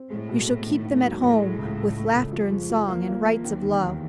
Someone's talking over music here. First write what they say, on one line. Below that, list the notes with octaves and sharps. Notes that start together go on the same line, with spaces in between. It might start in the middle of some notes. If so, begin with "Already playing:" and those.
You shall keep them at home, with laughter and song and rites of love.
Already playing: C4
A2 G#3
B2
B2
D#3
D#2
F#3
A2 E3
G#3
C#2
A3
A3
C#2
F2 F3
G#3
F3
E2 A#3
A#3
A#3
D#2
D#3
D#2